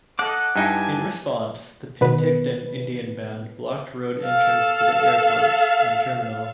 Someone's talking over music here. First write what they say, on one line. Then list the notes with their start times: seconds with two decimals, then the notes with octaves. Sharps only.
In response, the Penticton Indian Band blocked road entrance to the airport, and terminal.
0.19 A4 D#5 F#5 D6
0.56 G2 D#4 E4 G#5 A5
2.01 B2 D#3 B4
4.24 A4 F5